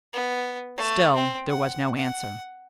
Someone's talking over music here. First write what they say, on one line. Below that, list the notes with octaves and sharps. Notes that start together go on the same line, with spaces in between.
Still there was no answer.
B3
A3
C4
F#5
F#5